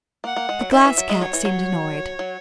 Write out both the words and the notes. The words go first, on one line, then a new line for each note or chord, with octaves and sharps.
The Glass Cat seemed annoyed.
A#3 F#5
A#3
G#3
F#3
D#3 E5
E3
F#3
G#3
F#3 C#5
E3
F#3
F#3